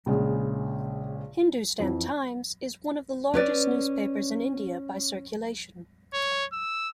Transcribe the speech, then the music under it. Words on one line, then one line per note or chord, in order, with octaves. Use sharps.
"Hindustan Times" is one of the largest newspapers in India, by circulation.
A#1 C#3 G#3
F2 E3
C#4 B4 D5
C#5
E6